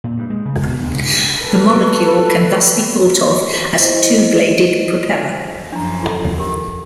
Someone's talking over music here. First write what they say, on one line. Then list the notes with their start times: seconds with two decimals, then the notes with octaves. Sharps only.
The molecule can thus be thought of as a two-bladed propeller.
0.04 A#2
0.17 G2
0.30 G#3
0.46 C#3
0.61 B2
0.81 D2
0.93 C#2
1.05 G2
1.45 A4 B4
3.78 E4 C5 D#5
5.72 F#2 F3 D4 A#5
6.03 F4 A4
6.38 G4 A#4